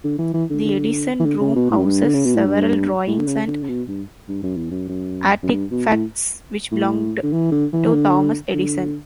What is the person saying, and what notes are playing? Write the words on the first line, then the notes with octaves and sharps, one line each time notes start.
The Edison room houses several drawings and artifacts which belonged to Thomas Edison.
D3
E3
E3
D3
D3
E3
D3
C#3
B2
A2
F#2
G2
D3
C#3
B2
A2
G2
A2
D3
C#3
D3
C#3
B2
G2
G2
F#2
E2
F#2
F#2
F#2
G2
B2
A2
A2
D3
E3
D3
E3
E3
D3
D3